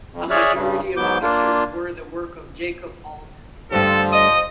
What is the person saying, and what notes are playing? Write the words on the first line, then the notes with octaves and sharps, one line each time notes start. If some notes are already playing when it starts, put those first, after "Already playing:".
A majority of the pictures were the work of Jakob Alt.
F2
G#4 C#5 D5 E5 F6 F#6
G2 C#3
G#2 F#3 B3 D6 G6
A#3 D4 F4
G2 D3 F3 A3 A4 C5
D#5 D#6